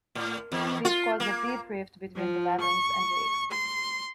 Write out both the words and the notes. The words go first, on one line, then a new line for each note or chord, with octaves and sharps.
This caused a deep rift between the Latins and Greeks.
A2
E2
F4
A#3
F3
C#6
C6